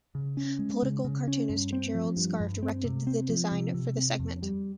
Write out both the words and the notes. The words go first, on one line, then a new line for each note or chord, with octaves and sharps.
Political cartoonist Gerald Scarfe directed the design for the segment.
C#3
C#4
G#3
C#3
C#3
C#4
G2
C4
F3
G2
G2
C4
C3
C4
F3
C3
C3
C4
F2
G3